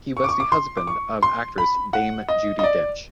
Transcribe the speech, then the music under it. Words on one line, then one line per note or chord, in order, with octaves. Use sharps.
He was the husband of actress Dame Judi Dench.
C#6
D6
C#6
D6
C6
D6
C#6
C6
B5
F#5
D#5
D#5
D5